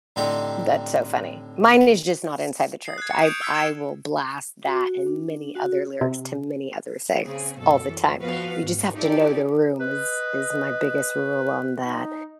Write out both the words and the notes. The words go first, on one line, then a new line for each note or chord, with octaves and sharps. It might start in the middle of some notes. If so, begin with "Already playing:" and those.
That's so funny, mine is just not inside the church. I I will blast that, and many other lyrics to many other things all the time, you just have to know the room is is my biggest rule on that.
A2 D3 C4 D#4 G4
D#6 C7
F#6 G#6
C#6 C#7
D#6 G6 D7 F7
E6 F6 G#6 B6 C#7
G#6 C#7 D7 E7
F#4
D4
F#4
C3
C#3 C4 G#4
F#2 B2 A4
E3
F3 B3 F#4 B4 F5
G#2
D#4 E4 G4 A4 D5
B4 D#5
D#4